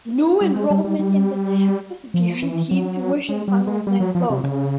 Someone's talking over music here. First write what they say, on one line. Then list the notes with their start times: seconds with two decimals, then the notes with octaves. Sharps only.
New enrollment in the Texas Guaranteed Tuition Plan was then closed.
0.41 G3
0.56 G#3
0.70 G3
0.85 G3
0.99 G3
2.14 F3
2.42 E3
2.71 F#3
3.29 G#3
3.48 G3
3.67 G#3
3.87 G3
4.00 F#3
4.15 F3
4.30 C3
4.44 C#3